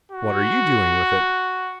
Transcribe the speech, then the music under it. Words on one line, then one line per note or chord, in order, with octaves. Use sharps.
"What are you doing with it?"
F#4